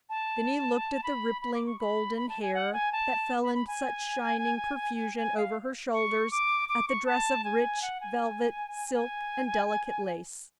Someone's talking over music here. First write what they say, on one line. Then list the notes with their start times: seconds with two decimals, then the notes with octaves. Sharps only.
Then he looked at the rippling, golden hair, that fell in such shining profusion over her shoulders, at the dress of rich velvet, silk and delicate lace.
0.10 A5
1.04 B5
1.42 B5
1.54 D6
1.66 C#6
1.79 B5
2.17 B5
2.29 A5
2.42 G#5
2.54 F#5
2.73 G#5
2.92 A5
3.43 B5
3.55 B5
3.67 G#5
5.17 G#5
5.37 F5
5.93 C#6
6.31 D6
6.69 D6
6.88 C#6
7.06 A5
7.44 G#5
7.82 F#5
8.01 G#5
8.95 G#5